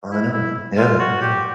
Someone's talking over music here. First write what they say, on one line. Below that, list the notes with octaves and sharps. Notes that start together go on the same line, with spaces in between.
I know. Yeah, yeah.
E4
E4
F4
F#4
G4